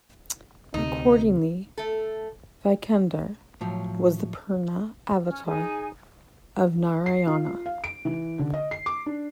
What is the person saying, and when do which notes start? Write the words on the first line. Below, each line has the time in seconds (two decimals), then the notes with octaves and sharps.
Accordingly, Vaikundar was the Purna avatar of Narayana.
0.74 D2 C3 D#4
1.77 A3 A4
3.61 A2 F3 F#3
5.26 C#4 F6
5.46 D#4 G#4 G#5
7.06 C7
7.27 F4
7.66 F5
7.84 D7
8.05 E3
8.39 D3
8.54 D#5
8.71 C7
8.86 D6
9.06 D4